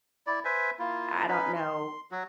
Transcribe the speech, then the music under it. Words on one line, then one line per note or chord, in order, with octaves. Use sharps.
I don't know,
E4 D5
B4 C5 E5 G#5
A#3 E4 F4
C#4 D#4 B4 B5
C6
F#3 F#4